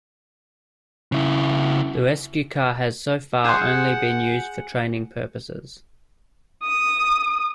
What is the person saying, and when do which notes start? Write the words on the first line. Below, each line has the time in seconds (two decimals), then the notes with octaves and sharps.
The rescue car has so far only been used for training purposes.
1.12 C#3 E4
3.44 G#4 F#5 C6 F#6 G6 E7
6.64 D#6